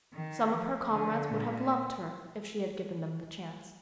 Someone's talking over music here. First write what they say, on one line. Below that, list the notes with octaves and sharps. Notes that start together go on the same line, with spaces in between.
Some of her comrades would have loved her if she had given them the chance.
D#3
F3
D3
A#2